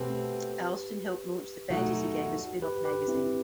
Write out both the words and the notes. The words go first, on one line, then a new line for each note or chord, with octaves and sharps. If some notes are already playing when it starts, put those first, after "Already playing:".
Allston helped launch the "Fantasy Gamer" spinoff magazine.
Already playing: B2 A3 C4 G4 B4
B2 F#3 A3 D#4 F#4
G4 B4
G4 B4
C4 E4